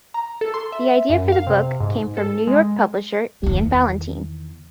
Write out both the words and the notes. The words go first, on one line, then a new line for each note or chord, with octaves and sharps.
The idea for the book came from New York publisher Ian Ballantine.
A#5
A4
C6
E5
F#2
F5
C3
G#2
A4
G#3
E2 D#3